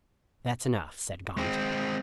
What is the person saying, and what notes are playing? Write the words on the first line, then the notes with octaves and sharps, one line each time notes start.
"That's enough," said Gaunt.
G#3 C4